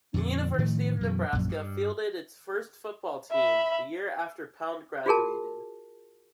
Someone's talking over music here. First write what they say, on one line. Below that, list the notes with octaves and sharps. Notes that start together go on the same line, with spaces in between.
The University of Nebraska fielded its first football team the year after Pound graduated.
F2 A#2 D3
A2 D#3 F3 A3
F#2 B2 E3
A#1 F#2
G2
E5 B5
F4 F#4 G#4 A#4 A5